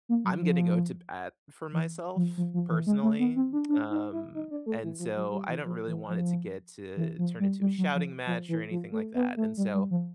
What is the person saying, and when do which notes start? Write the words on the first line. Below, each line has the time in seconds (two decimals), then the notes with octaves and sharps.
I'm gonna go to bat for myself personally, um, and so I don't really want it to get to turn into a shouting match, or anything like that, and, so,
0.09 A#3
0.25 F#3
0.42 F3
1.73 E3
2.16 F3
2.37 F3
2.54 F3
2.70 E3
2.87 G#3
3.03 A3
3.19 B3
3.36 C4
3.53 D4
3.69 D4
3.90 D#4
4.12 E4
4.35 D#4
4.51 D4
4.66 A3
4.84 E3
4.99 F3
5.16 F#3
5.32 G3
5.49 E3
5.66 F3
5.87 E3
6.09 F3
6.97 E3
7.18 F3
7.40 G3
7.61 G3
7.78 F#3
7.95 F3
8.27 F3
8.49 E3
8.71 F3
8.92 A3
9.15 B3
9.37 A3
9.57 G3
9.74 G3
9.91 F3